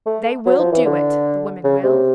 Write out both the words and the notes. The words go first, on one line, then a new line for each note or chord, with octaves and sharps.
They will do it--the women will.
A3
F#3
F3
E3
D3
C#3
C3